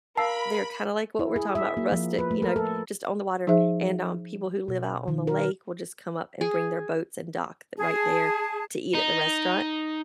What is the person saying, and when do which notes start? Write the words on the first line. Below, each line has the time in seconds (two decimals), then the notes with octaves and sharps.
there, kinda like what we're talking about, rustic, you know, just on the water, and, um, people who live out on the lake will just come up and bring their boats and dock th right there to eat at the restaurant.
0.17 A#4 F5 A5 B5 E6 C7
1.19 E4
1.36 G#4
1.55 E5
1.77 A#3
1.92 F3
2.18 B4
2.31 A3
2.42 A#4
2.56 A4
3.47 F3 D#4 G#4 C5 E5
4.68 B2
5.08 D#3
5.27 A#4
6.41 G#4
7.77 G#4 A5
8.95 D#4